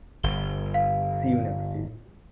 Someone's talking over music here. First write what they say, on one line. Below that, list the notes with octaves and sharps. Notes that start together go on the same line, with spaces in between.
See you next year.
G1 G7
F5